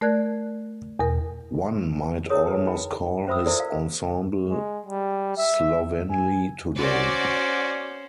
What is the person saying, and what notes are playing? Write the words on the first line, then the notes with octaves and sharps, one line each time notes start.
One might almost call his ensemble slovenly today.
A3 A#4 D5 F#6 G#6
E2 B2 A#4
E4 G#4 A#4 C#5 D#6
B4
D#4 E4 G5 B5
C#4 C5 E5 B5 D#6 E6
E4 F4 A4 A#4 C5 D5
F5
G#3
G3
E5
G#5
C#4 F#4 C5 D5